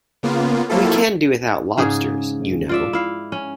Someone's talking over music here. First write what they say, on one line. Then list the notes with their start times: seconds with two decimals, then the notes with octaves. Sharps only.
We can do without lobsters, you know.
0.23 C#3 A#3 B3 F4
0.69 F#3 A#3 C4 E4 F4 A4
1.78 G#2 C#3 G#4
2.69 F4 D5 E5
2.93 E4 F5
3.32 C#4